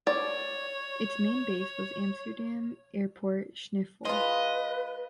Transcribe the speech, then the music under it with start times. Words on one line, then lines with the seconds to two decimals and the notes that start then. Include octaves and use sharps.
Its main base was Amsterdam Airport Schiphol.
0.07 C#5 D5
4.05 G#3 F4 B4 D#5